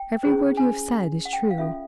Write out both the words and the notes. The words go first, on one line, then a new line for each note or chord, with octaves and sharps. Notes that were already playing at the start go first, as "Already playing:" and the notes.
Every word you have said is true.
Already playing: G5
C#4 E4 G#4 C5
G#5
F#5
G5
F5
C#4 F4 A4 E5